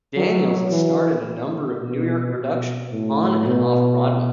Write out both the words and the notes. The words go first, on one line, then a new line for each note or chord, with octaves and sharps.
Daniels has starred in a number of New York productions, on and off Broadway.
F#3
E3
B2
B2
A2
B2